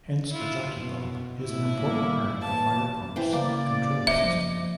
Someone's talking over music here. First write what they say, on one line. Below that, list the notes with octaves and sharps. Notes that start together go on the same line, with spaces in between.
Hence a jockey pump is an important part of the fire pumps control system.
E4 F4
B2
A2 E4
G2 G3 A#3
A2 E3 A#3 A5
E3 C5 G5
C#3 A#3 D5 D6
D1 C5 D#5 E5
F3